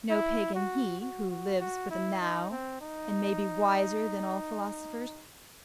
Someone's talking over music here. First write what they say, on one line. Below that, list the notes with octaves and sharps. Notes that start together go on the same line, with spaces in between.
No Pagan he, who lives for the Now, and may be wiser than all philosophers.
E4
F#4
F#4
F#4
F#4
E4
D#4
C4
D#4